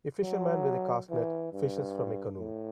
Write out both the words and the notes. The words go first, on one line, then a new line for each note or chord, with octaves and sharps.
A fisherman with a cast net fishes from a canoe.
F#3
E3
G2
A2